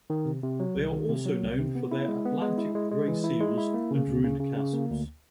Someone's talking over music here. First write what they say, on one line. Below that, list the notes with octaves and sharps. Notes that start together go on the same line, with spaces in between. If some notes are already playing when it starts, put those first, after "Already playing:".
They are also known for their Atlantic grey seals and ruined castles.
D#3
C3
C3
F#3
C2
D#3
C3
F#3
C2
C3
B3
E4
G#3
B3
G#3
E4
G#3
G#3
E3
E4
G#3
E4
A#3
C#3
D2
C#3
C#3
C#3
A#3
D2